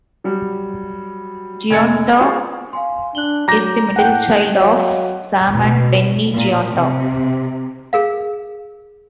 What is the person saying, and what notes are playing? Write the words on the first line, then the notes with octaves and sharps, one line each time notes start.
Gionta is the middle child of Sam and Penny Gionta.
F#3 G3
F1 G#3 G#6 A6 C#7
F4 G#4 C5 D5 C#6
F5 G#5 C6
D4 F#6 F#7 G7
F#3 A#5 D6 G6 A#6
A2 F#5 G5 A5 F#6 G6
F#3 C#5 D#5 F5
B2
A#2
C3
G#4 A#4 F5